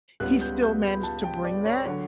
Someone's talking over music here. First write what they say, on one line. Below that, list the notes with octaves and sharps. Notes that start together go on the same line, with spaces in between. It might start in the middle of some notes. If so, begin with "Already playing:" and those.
he still managed to bring that,
C#2 C#3 G3 B3 F#6
G6
G6
B5
A5
G5
D5
C#5
D3 F#3 C#5